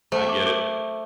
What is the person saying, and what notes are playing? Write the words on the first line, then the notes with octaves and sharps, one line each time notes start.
I get it
A3 C5
D6
D6